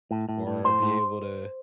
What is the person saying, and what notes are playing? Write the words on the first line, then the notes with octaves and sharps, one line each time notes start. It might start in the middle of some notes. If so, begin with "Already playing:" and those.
or be able to
A2
A2
A2
A2 C5
A2